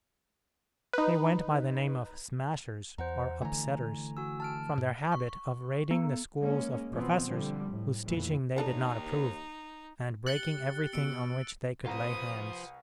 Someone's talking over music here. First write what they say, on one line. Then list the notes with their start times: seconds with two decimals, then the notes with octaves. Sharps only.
They went by the name of "smashers" or "upsetters," from their habit of raiding the schools of professors whose teaching they did not approve, and breaking everything on which they could lay hands.
0.93 D#4 B4
2.98 E2 C5 F#5 A#5
3.42 D3 E3 A3 G#5 A#5
4.17 F#4 G#5 E6
4.40 A5 F6 D7
4.78 G#2
5.12 C#6
5.91 B3
6.40 G#3 A#3 C#4
6.92 B2 E3 F3 B3 C4
7.30 D3 F3 G3
7.73 A2
8.05 F1 F2 A#2 E3
8.56 D#2 A#3 D4 D#4 A4
10.26 G4 F#6 A6 C#7 G7
10.93 B2 E6 C#7 D7
11.86 C2 F4 B4 C5 A#5 D#6